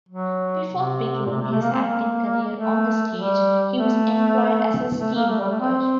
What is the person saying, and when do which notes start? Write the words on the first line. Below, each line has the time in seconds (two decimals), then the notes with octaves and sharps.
Before beginning his acting career on the stage, he was employed as a steelworker.
0.09 F#3
0.70 C3
1.26 A#2
1.31 C3
1.42 C3
1.52 A3
1.62 A#3
1.72 C4
1.82 A#3
2.54 A3
3.15 G3
3.76 A3
4.99 A3
5.15 A#3
5.30 A3
5.40 G3
5.51 A3
5.60 C4